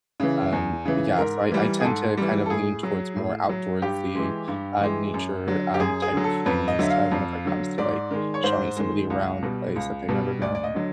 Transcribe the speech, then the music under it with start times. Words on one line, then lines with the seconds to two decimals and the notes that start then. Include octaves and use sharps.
Um, yeah, so I I tend to kind of lean towards more outdoorsy, uh, nature, um, type of things, uh, whenever it comes to, like, showing somebody around a place that they've never been.
0.20 C#3 E3
0.52 E2
0.85 C#3 E3
1.18 G#2 A#4
1.52 E3 G3
1.80 G#4
1.84 G#2 A4
2.17 E3 G3
2.46 A4
2.50 A2 G#4
2.83 F#3
3.16 A2
3.49 F#3
3.82 G2 G4
4.15 E3 G#3
4.48 G2
4.81 E3 G#3
5.14 F#2
5.47 D3 F#3
5.74 G4
5.80 F#2 G#4
6.02 G#4
6.13 D3 F#3
6.24 A4
6.46 F2 B4
6.68 D#5
6.79 D3 F#3 E5
6.90 F5
7.11 F2
7.45 D3 F#3
7.78 G#2 D5
8.11 D#3 G#3
8.34 C#5
8.44 G#2 C5
8.77 D#3 G#3
9.10 C#2
9.43 B2 G3
9.76 C#2
10.09 B2 G3
10.41 D2 D5
10.55 D5
10.64 D#5
10.74 D3 F#3